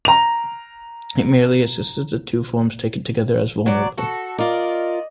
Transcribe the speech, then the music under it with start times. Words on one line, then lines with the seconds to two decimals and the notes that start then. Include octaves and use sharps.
It merely assesses the two forms taken together, as vulnerable.
0.05 A#5 F7
3.66 F#3 D5
3.97 F#4 A4
4.38 F4 A#4 D5 D#5